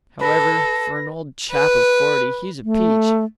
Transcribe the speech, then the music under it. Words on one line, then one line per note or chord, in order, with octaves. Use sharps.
However, for an old chap of forty, he's a peach.
A4 B4 A#6
B4
A3